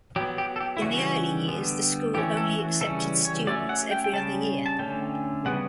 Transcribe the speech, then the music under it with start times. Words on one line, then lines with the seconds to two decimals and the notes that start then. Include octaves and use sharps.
In the early years, the school only accepted students every other year.
0.16 F#3 G4
0.20 B3
0.38 G4
0.56 A4
0.61 G4
0.77 E4
0.82 C#3 E3 G3 C#4 F#4
1.48 D3 G3 B3
2.14 E3 A3 C#4 G4
2.37 A4
2.59 F#4
2.81 C#3 E3 G3 C#4 A4
3.25 C#5
3.47 F#3 A3 C#4 D5
3.69 F#5
3.91 G5
4.04 G5
4.13 C#3 G3 C#4 A5
4.66 A5
4.79 D3 A3 C#4 G5
5.45 C#3 G3 B3 F#5